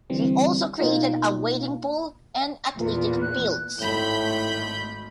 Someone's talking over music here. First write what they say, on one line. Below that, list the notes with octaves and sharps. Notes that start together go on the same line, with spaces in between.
He also created a wading pool and athletic fields.
D3 E3 G3 C4
B2 A#3 D#4 F4
E2 A#2 F4
F#6
G#1 A2 A3 B5 G6